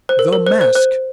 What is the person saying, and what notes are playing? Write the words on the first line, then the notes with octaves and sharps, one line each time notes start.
The mask!
C5
A#4
A#4
C5
C5
C5